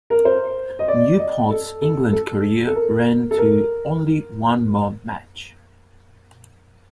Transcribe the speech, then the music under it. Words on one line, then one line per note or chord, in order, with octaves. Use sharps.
Newport's England career ran to only one more match.
A#4
C5
D#5
D5
D#5
A4
A4
A4
A4
A#4
A4
A#4